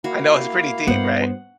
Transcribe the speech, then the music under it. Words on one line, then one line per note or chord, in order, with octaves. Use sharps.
I know it's pretty deep, right?
A#3 E4 F#4 F5
G2 B3 C5 F#5